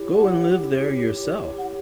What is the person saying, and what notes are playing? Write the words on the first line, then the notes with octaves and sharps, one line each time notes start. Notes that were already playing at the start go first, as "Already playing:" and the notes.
Go and live there yourself.
Already playing: E4 G4 C#5
F#5
F#5